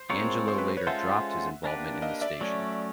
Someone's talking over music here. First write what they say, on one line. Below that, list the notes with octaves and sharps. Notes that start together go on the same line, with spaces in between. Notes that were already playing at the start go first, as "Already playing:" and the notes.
Angelo later dropped his involvement in the station.
Already playing: C5
G#3 C4 F4 A#4 C#5
C5
B4
C5
B4 C#5
G#3 C#4 F4 A4 C5 E5 F#5
A#3 D4 G4 B4
D#5 F5
D5 E5
F#3 A3 C#4